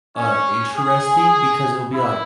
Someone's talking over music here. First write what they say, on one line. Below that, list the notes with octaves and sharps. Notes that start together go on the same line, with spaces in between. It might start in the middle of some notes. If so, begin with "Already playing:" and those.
uh, interesting because it'll be, like,
C#4
G#4
E4